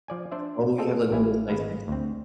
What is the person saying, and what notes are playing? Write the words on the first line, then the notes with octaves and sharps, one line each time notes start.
Oh, you have, like, one of those nice vintage
F3 D5 G#5
D4 C5 D5 E5
C4 F4 G#4 A4 D#5
A1 G3 E4 F5 G#5
G#1 G#3 B4 F5
D2 C4